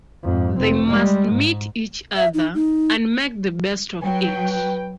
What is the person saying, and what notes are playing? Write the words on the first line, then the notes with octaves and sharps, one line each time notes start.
They must meet each other, and make the best of it.
F2 G#2
F1 C4
G3 G#3
G#2
E5
D#4
D#4
F#3 B4 G5